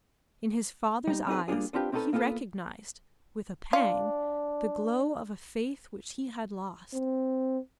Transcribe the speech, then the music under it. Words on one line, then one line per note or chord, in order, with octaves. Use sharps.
In his father's eyes he recognized, with a pang, the glow of a faith which he had lost.
G3 D#4
C4 C#4 D#4 G#4 B4
G3 A#3 D4 F4 G#4
B3 C4 D4 F4 G4 B4
C4 C#4 D#4 G#4 A4 B4
A#3 B3 F4 G4 A4
D4 F4
C4